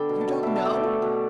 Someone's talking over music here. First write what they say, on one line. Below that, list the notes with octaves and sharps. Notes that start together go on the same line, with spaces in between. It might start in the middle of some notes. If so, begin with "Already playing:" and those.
You don't know!
Already playing: D3 B3 A4 D5 G5
B2
A5
B2 G5
B2 E5 A5
A5
A3 D5 G5
A3
B2